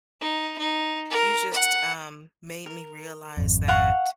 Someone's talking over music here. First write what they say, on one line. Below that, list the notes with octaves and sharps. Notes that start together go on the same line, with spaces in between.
you just, um, made me realize that,
D#4
D#4
A#4
F#5
A#4
G#1 F2
F5 F#5 C#6